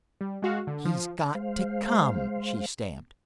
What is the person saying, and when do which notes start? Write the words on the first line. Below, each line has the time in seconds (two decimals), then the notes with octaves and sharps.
"He's got to come." She stamped.
0.21 G3
0.42 G#3 F#4 F5
0.67 D3
0.85 F3
1.35 G#3 C5 F5